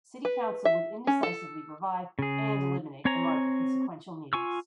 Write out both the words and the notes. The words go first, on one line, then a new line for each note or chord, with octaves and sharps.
City Council would indecisively revive and eliminate the market in sequential meetings.
B4
E5
C#4
A4
C#3 G#4
C4 C#5 G#5 A#5
F4 G#5 C#6 E6